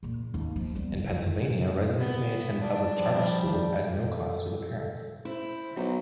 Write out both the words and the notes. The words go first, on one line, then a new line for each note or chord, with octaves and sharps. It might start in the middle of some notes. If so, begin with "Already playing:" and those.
In Pennsylvania residents may attend public charter schools at no cost to the parents.
E2 A#2
D#2
F3
G3 B3
D3
F2
B3
D4
F3 G3
A4
E4 C5
B1 F#3 D#4 A#5